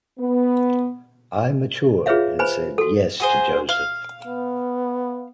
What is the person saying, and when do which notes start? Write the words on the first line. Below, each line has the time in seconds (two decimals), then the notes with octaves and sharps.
I matured and said yes to Joseph.
0.18 B3
2.06 F4 G#4 B4 C#5 E5 F5
2.39 B4 C5 G#5 B5
2.78 F#4 A4
3.20 F#4 G#4 C5
3.69 F5
4.27 B3